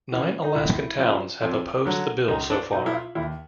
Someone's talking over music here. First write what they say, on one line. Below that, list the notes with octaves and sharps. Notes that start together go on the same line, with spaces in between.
Nine Alaskan towns have opposed the bill so far.
C#3 E3
D#4
C#2 E4
C#3 F3
F2
D3 F#3
C#2 D#4
D4
B2 F#3 D#4
E4
F4
D#2 E4